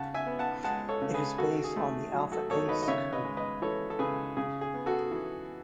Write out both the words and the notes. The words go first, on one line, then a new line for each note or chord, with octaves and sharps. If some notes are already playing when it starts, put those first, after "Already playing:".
It is based on the Alpha Ace coupe.
Already playing: C#3 F#5 A5
E5 G#5
B3
F#5 A5
G#3 F#5 A5
A4 C#5
C#3
G#4 B4
D#3 F#4 A4
G#4
A3
F#3
F#4 A4
D#3 A4 C#5
B4 D#5
D#5
C#3 C#5 E5
B4 D#5
G#3
B4 D#5
E3 A4 C#5
A4
C#3 G#4 B4
C#3 G#4
G#4
B3
F#4 A4
E3